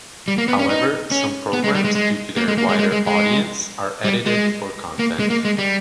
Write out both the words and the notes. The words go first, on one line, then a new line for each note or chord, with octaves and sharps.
However, some programs, due to their wider audience, are edited for content.
G3
A#3
B3
C#4
D#4
C#4
B3
G#3
G3
G#3
G#3
A#3
G#3
A#3
G#3
G#3
G#3
G#3
G3
G#3
A#3
G#3
A#3
G#3
G3